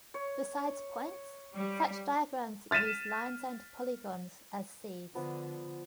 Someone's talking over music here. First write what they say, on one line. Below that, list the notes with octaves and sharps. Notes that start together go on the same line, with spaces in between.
Besides points, such diagrams use lines and polygons as seeds.
C#5
G3
F6 A6 B6 D#7 E7
D3 F3 B3